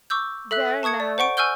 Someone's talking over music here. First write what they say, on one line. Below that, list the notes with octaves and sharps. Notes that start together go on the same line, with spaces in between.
There now!'
C#6 D6 E6 G6
A4 E5 F#6
A5 C#6 D#6 G#6 C#7
D5
C5 F#5 C#6 D7
G#5 C#6 E6 F6 G6 G7